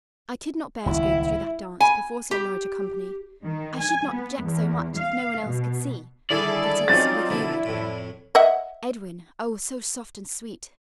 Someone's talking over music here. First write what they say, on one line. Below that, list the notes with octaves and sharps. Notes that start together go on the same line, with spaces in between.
"I could not bear to go through that dance before so large a company. I should not object so much if no one else could see--that is, with you--Edwin." "Edwin!" Oh! so soft and sweet!
D#1 C#2 D#3 E4
G#5
G4
D#3
G#5
B3
E2
F5
B2
D3 D#3 G3 E4 G#4 A4 D5
F3 F#3 C4 C#4 D#4 F4 A6
B2 D3 F3 E4
F2 A2
D#5 E5 F#5